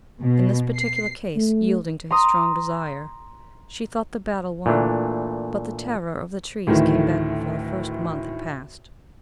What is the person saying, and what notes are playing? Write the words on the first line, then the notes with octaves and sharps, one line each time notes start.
In this particular case, yielding to his strong desire, she thought the battle won, but the terror of the trees came back before the first month had passed.
B2
C7
A3
A#5 C6 D#6
A#2 E3 A3 D4
D2 A2 D#3 E3